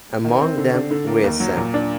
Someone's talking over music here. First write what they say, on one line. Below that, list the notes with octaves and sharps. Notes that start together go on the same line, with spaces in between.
Among them were Sen.
D#3
C4
D3
D4
D3
A#3
D#2
F#3
A#2
D4